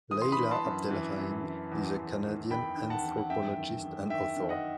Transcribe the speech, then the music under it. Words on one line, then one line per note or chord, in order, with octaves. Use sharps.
Layla AbdelRahim is a Canadian anthropologist and author.
E3 D#6
C6
B5 D#6
E3
A5 C6
F#2
E3
F#2
E3
E2
E2
D#3
D#3 G5 B5
D#3
F#5 A5
E2
F#5
F#2 E5 G5
D#3
D#3
D#3 E5 G5
D#3
D#5 F#5